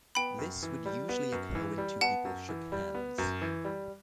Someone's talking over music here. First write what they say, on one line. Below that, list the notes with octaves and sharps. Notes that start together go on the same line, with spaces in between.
This would usually occur when two people shook hands.
B3 G5 B5
F#2
E3
G3
B3
F#2
E3
G3
B3 F#5 A5
F#2
E3
G3
B3
F#2
E3
G3